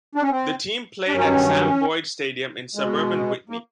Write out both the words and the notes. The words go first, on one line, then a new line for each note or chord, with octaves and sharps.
The team played at Sam Boyd Stadium in suburban Whitney.
D4
C#4
C4
D4
G2 D#3 F#3 C#4
B2 G#3
A#3